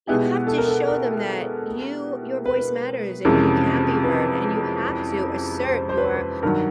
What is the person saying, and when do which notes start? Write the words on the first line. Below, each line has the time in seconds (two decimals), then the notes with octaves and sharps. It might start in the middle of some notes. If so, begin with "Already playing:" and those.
you have to show them that you your voice matters, and you can be heard, and you have to assert your
0.07 B2 G#3 B3 E4 G4 G#4
0.47 A4
0.58 A#4
0.68 A4
0.87 A#4
2.46 B4
3.25 F2 C3 E3 G#3 C#4 A#4
4.04 B4
5.63 C5
5.89 C5
5.98 B4
6.04 C5
6.16 B4
6.43 G2 D#3 F#3 A#4